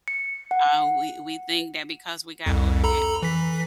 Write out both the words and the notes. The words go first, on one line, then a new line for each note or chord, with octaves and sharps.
uh, we we think that because we got older that
C#7
F#5
C2 F2
A4 A#5 B5
E3 B6